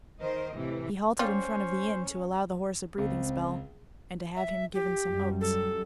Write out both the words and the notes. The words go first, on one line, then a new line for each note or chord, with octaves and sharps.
He halted in front of the inn, to allow the horse a breathing spell, and to have him given some oats.
D#3 A#4 C5 D#5
A2 C3 E3
G3 C#4 F4 C5
C#2 C4
E5
G4
F#2 G3
A4